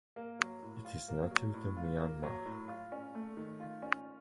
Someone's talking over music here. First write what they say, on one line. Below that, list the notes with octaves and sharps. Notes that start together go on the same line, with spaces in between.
It is native to Myanmar.
A#3
F#3
A2
F4
A#3
F#3
A2
F4
A#3
F#3
A2
F4
C#4
A3
D#3
F4
C#4